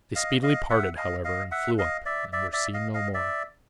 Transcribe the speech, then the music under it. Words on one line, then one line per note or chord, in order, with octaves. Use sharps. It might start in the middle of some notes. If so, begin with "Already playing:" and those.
They speedily parted, however, and flew up, and were seen no more.
D#5 F5
D#5 F5
E5 F#5
D#5 F5
D#5 F5
E5 F#5
D#5 F5
D5 E5
D5 E5
D5 E5
D#5 F5
D#5 F5
D5 E5